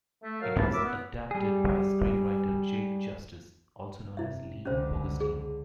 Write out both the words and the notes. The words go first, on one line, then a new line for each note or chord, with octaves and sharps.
It was adapted by screenwriter Jake Justiz, also known as Lee Pogostin.
A3
F#3 A#4 F5
C#2 C3 F3 A#3 A5 B5
F#3 A3 E4 A#4 E5 D6
B3
G3 G#4
F1 E4 E5
C#2 D3 C#4 C5
G#4